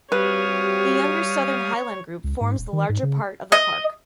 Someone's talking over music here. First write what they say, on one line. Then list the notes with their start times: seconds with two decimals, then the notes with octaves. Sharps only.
The younger Southern Highland Group forms the larger part of the park.
0.12 G3 C4 F#4 G4 B4 C#5 F5 D#6
2.24 C#2
2.41 G#2
2.58 D#1
2.73 D#3
2.89 G#2
3.03 C#3
3.52 D#5